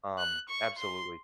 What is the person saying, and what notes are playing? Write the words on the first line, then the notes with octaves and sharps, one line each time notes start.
um, absolutely.
F#6
C#6
C6